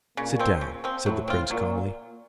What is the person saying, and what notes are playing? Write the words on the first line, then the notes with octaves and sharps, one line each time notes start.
"Sit down," said the Prince calmly.
A#2 C#3
F3 C4
C#3
F3 C4
A2 F#3
C4 F4
A#2 F#3